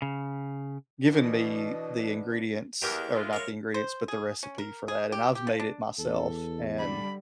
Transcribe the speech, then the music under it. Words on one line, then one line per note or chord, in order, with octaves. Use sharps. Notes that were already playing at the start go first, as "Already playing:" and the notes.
given me the ingredients or not the ingredients, but, the recipe for that, and I've made it myself and
C#3
B2 E3 D4 D#5
E2 G4 A#4 D6
G#3 E4 F4
A#4 C#5
C5
G#4
C#4
A#4
G#4
G4
G4
F3
D4
E2 A4
D3 G3 B5